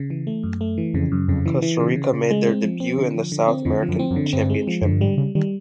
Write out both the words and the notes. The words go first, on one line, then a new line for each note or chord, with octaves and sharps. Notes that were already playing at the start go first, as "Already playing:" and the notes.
Costa Rica made their debut in the South American Championship.
Already playing: C#3
E3
A3
F#2
A3
E3
F2 C#3
F#2
F2 C#3
E3
E3
C#3
C#3
C#3
G#3
C4
F3
C4
D3
F3
D3
C4
F2 D3
F3
F#2
C4
F#2
D3
G2 C4
G#3
F3
F#2 D3
G2
G#2 G3
C#3 G3
D#3 G3